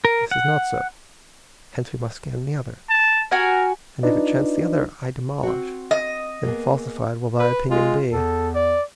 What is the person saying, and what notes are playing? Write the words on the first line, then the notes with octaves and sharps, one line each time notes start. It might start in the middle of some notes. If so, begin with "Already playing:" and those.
This is not so; hence we must scan the other, And if it chance the other I demolish, Then falsified will thy opinion be.
A#4
F#5
A5
F#4 A#4 G#5
D4 D#4 F4 B4 D5 D#5
C4 F#4
D#5
A#3 B3 G#4
B4
G#3 F4
E2 A4
D5